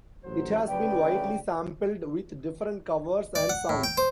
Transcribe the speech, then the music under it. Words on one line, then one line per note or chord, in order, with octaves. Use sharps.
It has been widely sampled, with different covers and sounds.
A1 F#3 C5
D2 C#3 B4 D5 G5
D5
F#5
A2
G5
C5